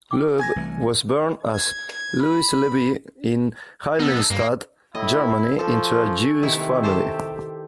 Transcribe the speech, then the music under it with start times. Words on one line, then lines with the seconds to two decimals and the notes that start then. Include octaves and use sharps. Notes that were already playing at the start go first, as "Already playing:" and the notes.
Loewe was born as Louis Levy in Heiligenstadt, Germany into a Jewish family.
0.11 G5 D6
0.40 G#5 G#6 A#6
0.56 C2 E3 A3
1.55 G#6
1.92 G#6
2.23 B5
4.00 B3 D#4 A4
4.30 G2 A#3
4.95 A2 E4 D#5
5.59 F3 A3 A4 G#5 C#6
6.43 C3 D#3 E4
6.83 G4 A4 C5